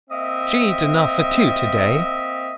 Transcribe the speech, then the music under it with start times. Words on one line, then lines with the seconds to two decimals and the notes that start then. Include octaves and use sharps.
She eat enough for two to-day.
0.10 A#3 C4 D#5 E5